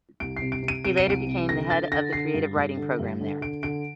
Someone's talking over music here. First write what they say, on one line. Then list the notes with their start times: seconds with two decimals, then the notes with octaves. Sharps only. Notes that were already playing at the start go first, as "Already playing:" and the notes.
He later became the head of the creative writing program there.
0.20 C2 D7
0.37 C7
0.42 C3
0.52 D7
0.63 C3
0.68 D#7
0.85 C3 D7
0.97 D#7
1.07 C2 D7
1.27 C3
1.49 D3 A#6
1.70 D3 A6
1.91 D3 A#6
2.13 D3 C7
2.34 G2
2.56 G2
2.77 D3
3.00 G2
3.21 D3
3.41 D3 D7
3.63 D3 D7